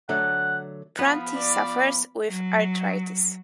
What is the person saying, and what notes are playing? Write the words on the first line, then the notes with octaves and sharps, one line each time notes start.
Prunty suffers with arthritis.
D3 F#3 A3 F#5
F3 B3 B5
D5
F#3